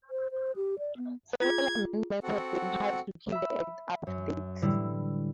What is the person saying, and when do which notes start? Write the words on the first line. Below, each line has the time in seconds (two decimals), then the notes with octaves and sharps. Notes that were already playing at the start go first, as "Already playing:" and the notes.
Several amendments have been passed to keep the Act up to date.
0.10 C5
0.31 C5
0.56 G4
0.79 D5
0.97 B3
1.42 F4 G#4 G#6
2.23 C4 F#4 A4 F#5
3.32 E5 B5
4.07 F#2
4.62 A2 D3 E3 G3 E4